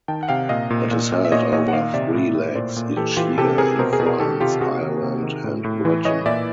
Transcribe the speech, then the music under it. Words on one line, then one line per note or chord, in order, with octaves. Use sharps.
It is held over three legs each year in France, Ireland and Britain.
D#3 G5 A5
F#5
C3 F5 G5
A#2 D#5 F5
A#2
A#2
A#2
E5
A#2 C#5 D#5
A#2 C#5 D#5
F#5
D#3 D#5 F5
C3 D5 E5
A2
A2
A#2 C5 D5
A#2
E3 G4 A4
E3 F4 G4
C3 G4 A4
C3 G#4 A#4
B2 A#4 C5
G#4 A#4
B2
G#4 A#4
D#3 G4 A4
C3 F4 G4
C3 F#4 G#4
D#3
C3
D#3
A2
A2
E3
E3 C#5 D#5
A#2 D5 E5